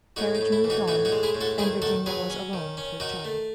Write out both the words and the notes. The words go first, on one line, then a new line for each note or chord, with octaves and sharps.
The carriage moved on and Virginia was alone with her charge.
A2 D#4 F#4
D#4
A2
E4
E3
D#4 F#4
A2 D#4 F#4
D#4 F#4
G#3
E4 G#4
A2
F#4 A4
D#3 E4 G#4
D#3 F#4 A4
F#3 G#4 B4
C#4
D#3
C#4
D#3 D#4 F#4
A3